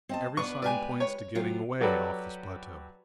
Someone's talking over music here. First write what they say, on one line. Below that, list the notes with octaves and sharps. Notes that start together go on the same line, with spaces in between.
Every sign points to getting away off this plateau.
C4 D#5 A5
B3 D4 B4 C#6
G#3 G4 B4 D5 G#5
C#5
C3 F#3 F4
F#3 F#4 G4 A4 B4 D5